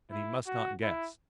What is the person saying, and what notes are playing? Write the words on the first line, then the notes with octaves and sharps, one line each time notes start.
"And he must not guess."
E4
F#4
E4